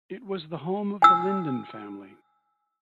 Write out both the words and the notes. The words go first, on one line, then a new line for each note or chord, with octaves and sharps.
It was the home of the Lyndon family.
G#5 E6